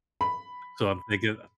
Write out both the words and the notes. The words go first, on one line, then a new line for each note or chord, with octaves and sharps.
so I'm thinking
B5